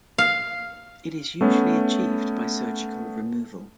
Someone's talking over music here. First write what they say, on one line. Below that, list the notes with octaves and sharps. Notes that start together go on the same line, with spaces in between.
It is usually achieved by surgical removal.
F5
A3 B3 C#4